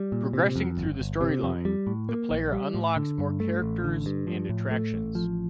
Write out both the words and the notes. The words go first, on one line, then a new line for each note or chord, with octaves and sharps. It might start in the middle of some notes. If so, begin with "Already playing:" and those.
Progressing through the storyline the player unlocks more characters and attractions.
Already playing: G3
A#2
C3
F2
G1
G1
C3
F2
G3
A2
A#3
A#1
G3
A2
D3
G2
A3
A1
D3
G2
F3
A2
A3
A1
F3